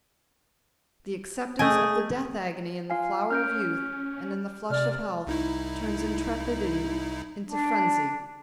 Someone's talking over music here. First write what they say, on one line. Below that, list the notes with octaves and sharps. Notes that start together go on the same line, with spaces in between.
The acceptance of the death agony in the flower of youth and in the flush of health turns intrepidity into frenzy.
A3 G#4 D#5 G5
F4 F5 G#5
C#4 F6 G6 D7
C3 D5 F6
C2 D#4 E4
D4